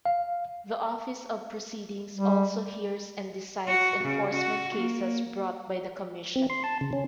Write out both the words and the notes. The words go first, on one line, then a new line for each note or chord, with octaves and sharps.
The Office of Proceedings also hears and decides enforcement cases brought by the Commission.
F5
G3
F#4
C#3
F#4
A#3
C4
C6
A5
C#3
C#4